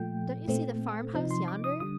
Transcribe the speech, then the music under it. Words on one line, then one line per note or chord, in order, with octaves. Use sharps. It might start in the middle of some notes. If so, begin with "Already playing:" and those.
Don't you see the farm-house yonder?
Already playing: A#2 F3 A3 G5
A#2 A3 C4
C3 F3 C4 D#4
C6
D6
D#6
D3 G3 D#6